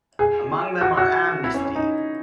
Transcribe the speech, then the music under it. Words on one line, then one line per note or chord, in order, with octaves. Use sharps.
Among them are Amnesty!
G#4
F#4
F#4
E4
C#4
C#4
D#4